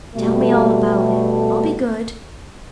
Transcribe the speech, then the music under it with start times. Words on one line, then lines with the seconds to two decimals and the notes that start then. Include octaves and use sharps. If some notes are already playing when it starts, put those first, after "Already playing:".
"Tell me all about it; I'll be good."
0.16 B2 G3 A3